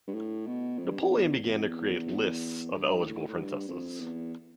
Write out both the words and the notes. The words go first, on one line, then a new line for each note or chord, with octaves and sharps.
Napoleon began to create lists of eligible princesses.
G2
A2
B2
F2
G2
F2
E2
E2
F2
E2
G2
A2
A2
G2
F2
E2